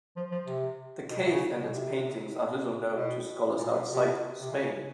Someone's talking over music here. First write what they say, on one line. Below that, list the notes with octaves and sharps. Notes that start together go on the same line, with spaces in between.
The cave and its paintings are little known to scholars outside Spain.
F3
F3
C3
B2
C3
C#3
B2
C3
B2
A#2
B2
C3
C3
C#3